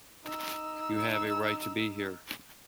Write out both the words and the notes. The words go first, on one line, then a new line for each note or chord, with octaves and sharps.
You have a right to be here.
D#4 E6